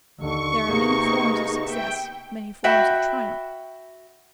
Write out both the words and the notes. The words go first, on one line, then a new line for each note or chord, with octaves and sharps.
There are many forms of success, many forms of triumph.
D#2 D3 C#6
C3 A#3 B3 D#4 G#4
E5 G5
F#4 E5 G5 B5